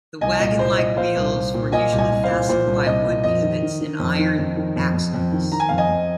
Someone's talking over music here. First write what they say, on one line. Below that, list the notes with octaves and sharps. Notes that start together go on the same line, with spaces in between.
The wagon-like wheels were usually fastened by wood pivots and iron axles.
C2 D#5 G#5
A#2 D#5
C2 C5
A#2 D#5
A#2 C5 F5
C2
C2
A#2
A#2 D#5 G#5
C2
D#5 G#5
C2
C5 F5
A#2
A#2 C5
C2
C2 D#5
A#2
F2 D#5
D#3
D#3
D#3
F2
D#3
F2
D#3
F2
F2
F2
D#3
D#3 A#5
G#5
F2 F5
D#5 G#5
F2